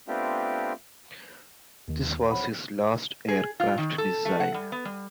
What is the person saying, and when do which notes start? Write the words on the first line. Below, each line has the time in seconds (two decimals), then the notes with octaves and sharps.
This was his last aircraft design.
0.08 A3 B3 C4 D4 F4 G4
1.88 D#2 D#3
2.29 C5 C#5 F#5 B5
3.28 G#4
3.60 F4
3.78 D#3
3.98 A4
4.25 A3
4.40 F#5
4.54 G3
4.72 B3
4.85 G3